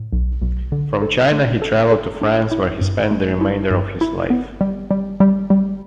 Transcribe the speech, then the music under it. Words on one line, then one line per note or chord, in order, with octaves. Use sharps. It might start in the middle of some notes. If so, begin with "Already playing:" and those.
From China, he travelled to France, where he spent the remainder of his life.
Already playing: A2
B1
B1
D3
A4
A3
A4
A4
D4
E4
G2
A3
E4
G2
E4
B3
G3
G3
G3
G3